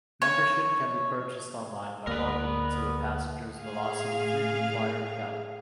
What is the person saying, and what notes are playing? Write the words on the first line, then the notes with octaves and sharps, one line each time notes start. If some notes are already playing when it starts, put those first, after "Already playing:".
Membership can be purchased online by logging into a passenger's velocity frequent flyer account.
C#5
D2 A#3 B3 A#4 B4 D5
A2 G#4 F5